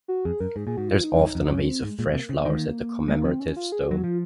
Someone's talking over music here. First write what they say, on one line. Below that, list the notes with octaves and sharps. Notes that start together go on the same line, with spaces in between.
There is often a vase of fresh flowers at the commemorative stone.
F#4
F2 G#4
F#2 A#4
G#2 G#4
A#2 G#4
G#2 F#4
F4
D#4
F2
F#2
F2
D#4
F#2 C#4
C4
G#2 G#3
A#2 G#3
C3 A#3
C#3 C4
A#3
D#3 G#3
A#3
G#3 A#3
F3 C4
C#4
F4
G#4
F#3 F#4
F3 F4